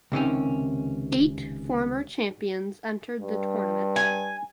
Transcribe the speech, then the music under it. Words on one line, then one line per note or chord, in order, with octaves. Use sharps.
Eight former champions entered the tournament.
C#2 C3 D#3 C#4
G2
G#5